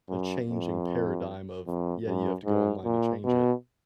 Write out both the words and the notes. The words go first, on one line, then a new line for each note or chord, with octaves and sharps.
a changing paradigm of, "Yeah, you have to go online to change it,"
F#2
F2
F2
F#2
G#2
A#2
B2